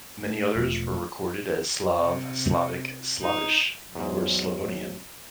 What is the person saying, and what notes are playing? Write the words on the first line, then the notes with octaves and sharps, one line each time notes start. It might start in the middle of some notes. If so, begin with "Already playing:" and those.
Many others were recorded as Slav, Slavic, Slavish, or Slavonian.
A3
E1 F3
C3
D#4
E2 G#2 F#3